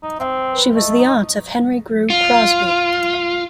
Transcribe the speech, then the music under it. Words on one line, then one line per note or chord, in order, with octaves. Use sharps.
She was the aunt of Henry Grew Crosby.
D#4
C4
B4
A3 D#5
D#4
F4